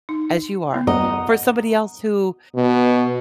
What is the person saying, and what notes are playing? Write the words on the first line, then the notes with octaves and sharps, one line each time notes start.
as you are, for somebody else who
D#4
B3 E4
D#5 F#5 A#5 D#6
B2